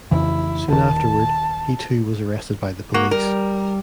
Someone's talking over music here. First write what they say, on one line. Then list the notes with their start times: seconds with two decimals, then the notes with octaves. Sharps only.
Soon afterward, he too was arrested by the police.
0.11 F2 C#3 E3 E4
0.70 D#1 D#3 A5
2.94 A#3 F#4
3.11 G3 A#4